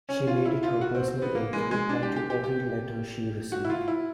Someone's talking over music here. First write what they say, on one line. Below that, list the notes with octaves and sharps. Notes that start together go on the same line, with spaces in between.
She made it her personal aim to reply to every letter she received.
C#4
F4
E4
F4
F#4
C4
C4
B3
A#3
G#3
G#3
D4
G4
G4
G4
G4
F#4
E4
F4
E4